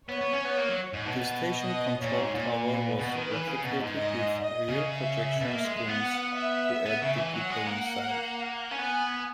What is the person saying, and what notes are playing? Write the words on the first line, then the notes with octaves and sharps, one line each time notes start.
The station control tower was replicated with rear-projection screens to add the people inside.
B3 C#5
B3
C#4
B3
A#3
F#3
G#2
B2
D#5
A#2 C#5
G#2
A#2
B4
B2
D#3
E3
C#3
B2
G#2
D#5
D#5
C#3
E5
B2
A#3
G#3
G#3
B3 F#5
E5
B3
C#3
E3
F#3 F#5
G#3
A#3
C#4
B3 G#5